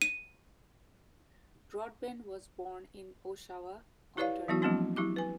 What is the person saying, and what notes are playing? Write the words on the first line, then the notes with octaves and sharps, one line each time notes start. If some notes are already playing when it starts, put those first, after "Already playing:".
Broadbent was born in Oshawa, Ontario.
D#7
E4 G4 B4 C#5 D5 F5
E3 F#3 B3 E4 F#4
F3 F#3 G#3 A#3 C4 D4
F#3 E4 G4 D6
B4 G#5